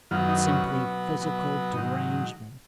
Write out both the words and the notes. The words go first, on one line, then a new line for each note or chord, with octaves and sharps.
It's simply physical derangement.
F#2 D#3 F#3 B3 F4
D#4
C#4
B2 F#3 B3
B2 F#3 B3
G#2 D#3 F#3 D#4